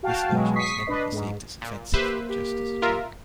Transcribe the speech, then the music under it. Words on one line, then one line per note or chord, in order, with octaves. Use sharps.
This version is never perceived as offensive, but just as a joke.
F#4 F5 G5 A5
B2 F#3 G#3
C#6 D#6 B6 C7
D4 B4 D#5
G#2
A#2
A#3 G4 B4 C5 E5
G4
F4 A#4 E5